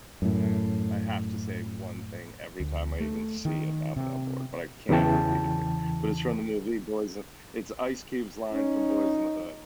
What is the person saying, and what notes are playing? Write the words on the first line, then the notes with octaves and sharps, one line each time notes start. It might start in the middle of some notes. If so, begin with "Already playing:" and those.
I have to say one thing every time I even see a domino board, but I can't repeat it here. But it's from the movie Boyz n it's Ice Cube's line from Boyz n the Hood
F#2 A2
D2
A3
D#3
C3
E2 C#3 E3 G5 A5
C#4 D#4